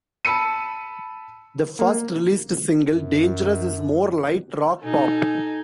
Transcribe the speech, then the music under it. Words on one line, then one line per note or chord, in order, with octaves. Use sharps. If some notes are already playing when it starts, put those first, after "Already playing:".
The first released single, "Dangerous", is more light rock-pop.
A5 B5 E6 C#7 D#7
A#3 A#4
F#2
B2 D#4 A4 G#5